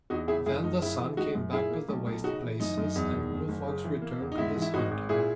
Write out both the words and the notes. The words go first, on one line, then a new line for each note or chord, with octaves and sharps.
Then the sun came back to the waste places, and Blue Fox returned to his hunting.
E2 D#4 F#4
C#3 E4 G#4
F#1 E4 G#4
F#1 D#4
C#3 E4
E3
G#3 D#4 F#4
F#2
A#2 E4 G#4
A#3
B1
B1
C#3 D#4 F#4
E3
F#2 D#4
F#2
E2
D#3
F#1
F#1
C#3
E3
A#3
E2
D#4
G#2 E4
E3
E4
G#1 D#4 F#4
G#1
A#2 E4 G#4